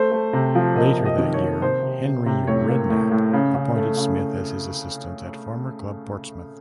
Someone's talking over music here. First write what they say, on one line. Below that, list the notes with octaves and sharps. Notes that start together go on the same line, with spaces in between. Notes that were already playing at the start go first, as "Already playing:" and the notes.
Later that year, Harry Redknapp appointed Smith as his assistant at former club Portsmouth.
Already playing: A3 C5
A3
C3
F3
A#3 D#5
C3
D#5
D#3
C#5
A#3
C3 C5
C3
C3
C3
A2 C#5
A#3
A2
A2
C#3
C#3
A3
C#3